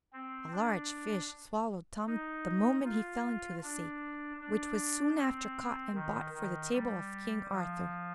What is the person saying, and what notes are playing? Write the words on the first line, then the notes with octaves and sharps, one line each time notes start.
A large fish swallowed Tom the moment he fell into the sea, which was soon after caught and bought for the table of King Arthur.
C4
D4
D#4
F4
D4
D4
C4
D#3
D#3
G3
F3